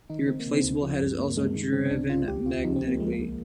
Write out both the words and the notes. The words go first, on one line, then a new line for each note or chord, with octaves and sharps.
The replaceable head is also driven magnetically.
D#3 D#4
D#3 C4
A#3
C3
C4
D2
F3
G2
G2 A#3
G2 G#3
D#3 G#3
C3 C4
C4
C2 D4
C2 F4
D2 G4
D2 F4
F3 D#4
C4
D2
A#3
F3 G#3
A#3
C2